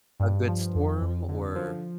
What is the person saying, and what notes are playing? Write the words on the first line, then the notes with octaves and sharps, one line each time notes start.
A good storm or
G2
F3
F2
F2
D3
F3